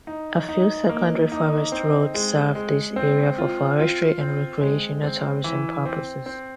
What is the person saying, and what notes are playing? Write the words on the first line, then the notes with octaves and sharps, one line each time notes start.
A few secondary forest roads serve this area for forestry and recreational tourism purposes.
D#4
D#4
A#3
D#4
C4
G#3
G#3
C4
F4
F4
C4
G#3
C4
E3
C4
C4